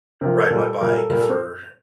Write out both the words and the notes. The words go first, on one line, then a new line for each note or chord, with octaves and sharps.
ride my bike for
C3 F3 A#4
A4
A#4
A#2 G3 A4
A#2 G3 A#4
A4
A#2 G3 A#4
A4
C4